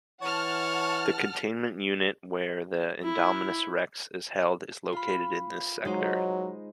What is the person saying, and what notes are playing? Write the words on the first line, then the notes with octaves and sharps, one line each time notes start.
The containment unit where the "Indominus Rex" is held is located in this sector.
E3 C#5 F#5 A5 F6
E4
F4 B5
F#3 G#3 D#4 C5